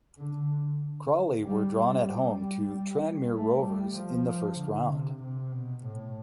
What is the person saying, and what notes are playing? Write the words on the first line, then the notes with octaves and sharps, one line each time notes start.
Crawley were drawn at home to Tranmere Rovers in the first round.
D3
G3
G3
G3
A3
G3
F3
D3
C3
C3
B2
A2